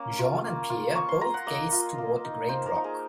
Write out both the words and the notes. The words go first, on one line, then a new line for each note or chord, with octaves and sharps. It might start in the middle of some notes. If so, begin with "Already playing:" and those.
Jeanne and Pierre both gazed toward the great rock.
Already playing: A#3 C#4
F4
A#3
F4
A#3 C#6
C6
F4 A#5
F#5
A#3 D#5
F4
A#3
D#4
A#3 C5
A#4
D#4
G#4